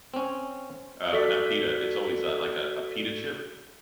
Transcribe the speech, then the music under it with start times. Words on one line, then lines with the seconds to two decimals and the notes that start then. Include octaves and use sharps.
uh, not pita, it's always, uh, like, a, a, pita chip,
0.14 C4 C#4
1.12 F#4 A4 D5 B6